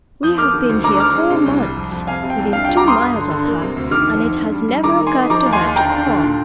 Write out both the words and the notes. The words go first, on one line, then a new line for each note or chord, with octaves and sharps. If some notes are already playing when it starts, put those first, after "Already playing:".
We have been here four months, within two miles of her, and it has never occurred to her to call.
F2 D#6 G6
A#3 D6 F6
D#3
D2
D3 A#5 D6
D4 D6 F6
G#3
C3
C2
G3
F2
F2
C3 F5 G#5
C3
G5
C2
D4 F5
F4 G5
A#5 D6
G3 C6 D#6
G2
D3
D3
A#3
C3
D2
D#3 D6 F6
F2
F2
D4
G3
G3
D#3 A#5 D6
A#3
G#5 C6
D#4
F3 A#5 D6
D#2
G#5 C6
D#2
D3 G5 A#5
D4
D3
A#2